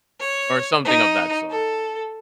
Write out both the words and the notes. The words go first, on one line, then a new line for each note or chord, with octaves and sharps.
or something of that sort.
C#5
D#4
A4